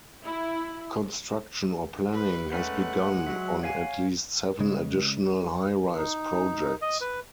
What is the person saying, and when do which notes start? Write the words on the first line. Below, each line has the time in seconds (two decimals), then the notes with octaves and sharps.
Construction or planning has begun on at least seven additional high-rise projects.
0.24 E4
2.12 B4
2.52 G#3 A3 C#4 B4 F#5
3.26 F#3 E5
3.63 C#5 F5 G#5
4.60 C#3 G#3
5.97 D#4
6.82 D#5
7.01 B4